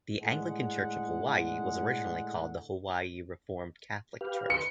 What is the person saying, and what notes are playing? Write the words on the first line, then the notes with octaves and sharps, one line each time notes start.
The Anglican Church of Hawaii was originally called the Hawaii Reformed Catholic Church.
A2 D3 G#3 F#5
G4 B4 F5
B4 C6 C#7